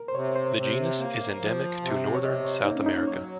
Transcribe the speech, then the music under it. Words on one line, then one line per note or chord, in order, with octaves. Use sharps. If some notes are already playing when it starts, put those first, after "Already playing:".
The genus is endemic to northern South America.
Already playing: A#4
C5
C3 C#5
C5
C3
A#3
F3
C3
C#5
C3 D#5
C#5
A#3 D#4
C#4
D#4
F#3 C#5